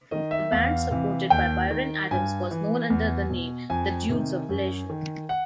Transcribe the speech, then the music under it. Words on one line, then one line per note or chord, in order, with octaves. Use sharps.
The band supported by Bryan Adams was known under the name “The Dudes of Leisure”.
D#3 D#5
E5
E2 F5
C3 E3
D#2 G5
D#3
G2 G#5
E3
E2
B2
F2 G#5
C3 D#3
F#2
D#3
F#5